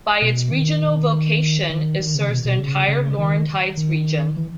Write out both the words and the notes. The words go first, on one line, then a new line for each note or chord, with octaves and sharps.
By its regional vocation, it serves the entire Laurentides region.
B2
D#3
D#3
D#3
C#3
B2
B2
C#3
C#3
D#3
D#3
E3